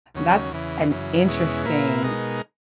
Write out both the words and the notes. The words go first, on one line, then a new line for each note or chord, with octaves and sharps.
That's an interesting
D#2 C#3 F#3 C#4
E2 C#3 E3
F#2 C#3 E3
E2 B2 G#3 C#4 E4
A#2 A#3 E4 B4
B2 G#3 D#4 A#4